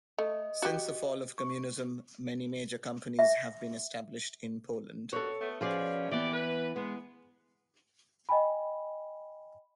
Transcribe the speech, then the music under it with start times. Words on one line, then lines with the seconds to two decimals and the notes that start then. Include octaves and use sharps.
Since the fall of communism many major companies have been established in Poland.
0.19 A3 D#5
0.62 F#4 G4
1.38 C#6
3.19 E5
5.13 G2 B3 F#4 A4 C#5
5.41 A3 B3
5.61 B2 F3 C#4 G#4 D5
6.11 E3 B3 G4 D5
6.34 B4
6.76 G#3 B3
8.29 D#5 G5 G#5 B5